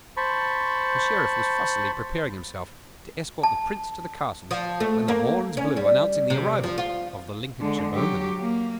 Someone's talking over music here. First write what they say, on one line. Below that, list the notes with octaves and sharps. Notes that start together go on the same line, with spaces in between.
The Sheriff was fussily preparing himself to escort the Prince to the castle when the horns blew announcing the arrival of the Lincolnshire bowmen.
C5 A5 B5 C#6
A5
F3
A3
A#3
C#4
G3
C3
F3
F4
D3 G#3
F#3 G4
A#3